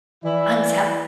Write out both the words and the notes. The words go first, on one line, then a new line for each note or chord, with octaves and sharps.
I'm so
E3 E4 D5